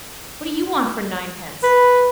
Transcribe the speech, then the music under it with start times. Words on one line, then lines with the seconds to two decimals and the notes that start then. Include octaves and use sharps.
What do you want for ninepence?
1.63 B4